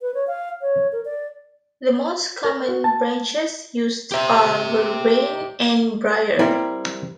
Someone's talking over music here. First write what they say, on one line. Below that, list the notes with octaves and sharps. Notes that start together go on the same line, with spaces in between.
The most common branches used are Vervain and Briar.
B4
C#5
F5
C#5
A#4
D5
A#4
F#4
A5
G4 E5
G3 C4 E4 A#4